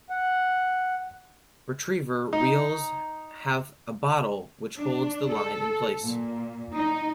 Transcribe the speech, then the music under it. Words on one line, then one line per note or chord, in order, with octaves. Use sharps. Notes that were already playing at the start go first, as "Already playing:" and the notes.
Retriever reels have a "bottle" which holds the line in place.
F#5
D#4
D4
A4
A#2
D#4